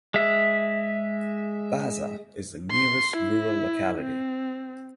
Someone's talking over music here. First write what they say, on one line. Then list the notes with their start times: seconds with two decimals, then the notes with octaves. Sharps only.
Baza is the nearest rural locality.
0.14 G#3 E5
2.72 C6
3.17 E4
3.99 C4